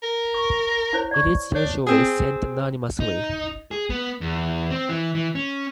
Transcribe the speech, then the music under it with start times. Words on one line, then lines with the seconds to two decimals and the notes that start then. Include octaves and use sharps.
It is usually sent anonymously.
0.02 A#4
0.34 C#6
0.93 E4 C5 C#5
1.11 D5 C#6
1.55 D4 C#5
1.87 C4 G#4
3.00 D#4
3.71 G#4
3.90 B3
4.21 E2
4.71 C4
4.89 E3
5.15 E3
5.35 C#4